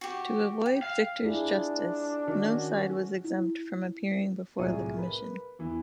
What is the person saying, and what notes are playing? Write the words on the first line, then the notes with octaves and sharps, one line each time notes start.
To avoid victor's justice, no side was exempt from appearing before the commission.
F#4 G4
G5
F5
D4 E4 F4 G#4
D#3 C#4 F#4
E4
C2 A2 F#3 F4 G#4 D#7
A#4 B4
E2 E3